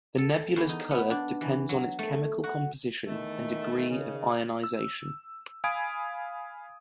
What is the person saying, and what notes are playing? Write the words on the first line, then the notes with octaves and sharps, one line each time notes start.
The nebula's color depends on its chemical composition and degree of ionization.
A4
E2
D#4
B3
D4
E3
F#3
A3
F#4
E2 D#3 A3
C#3
E6
F5 G#5 B5 D#6 G#6 D7